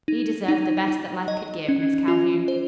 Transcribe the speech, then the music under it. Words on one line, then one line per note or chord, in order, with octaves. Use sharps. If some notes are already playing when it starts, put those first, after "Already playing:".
"He deserved the best that life could give, Miss Calhoun."
D#4
D#4
D#4
D#5
C#4
F4
C5